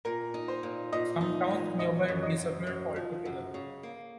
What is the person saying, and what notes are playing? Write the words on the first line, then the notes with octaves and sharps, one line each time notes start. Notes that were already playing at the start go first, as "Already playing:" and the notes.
Some towns nearby disappeared altogether.
A#2 A#4
D#4
C5
A#2
A#2 D#5
D#4
A#2
F#2 D#5
F#2
D#5
F#2
F#2
F3
F#2
C#3
A#3